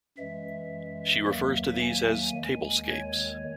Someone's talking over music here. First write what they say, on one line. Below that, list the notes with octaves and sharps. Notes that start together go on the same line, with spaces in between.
She refers to these as "tablescapes".
F#2 E3 G#3 E5
D#2 D#3 F#3 A#3
G#5
D#2 D#3 G#3
C#5